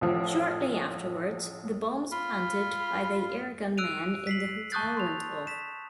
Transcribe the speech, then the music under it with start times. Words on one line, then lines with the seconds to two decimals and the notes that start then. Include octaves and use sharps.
Shortly afterward, the bombs planted by the Irgun men in the hotel went off.
0.01 A1 F3
2.12 F4 B5
3.78 E6 F#6 D7 D#7 F7
4.27 B6 C7 F#7
4.72 A5 C#6 D#6 F#6 G6 A6
4.97 C6 F7
5.47 B6 E7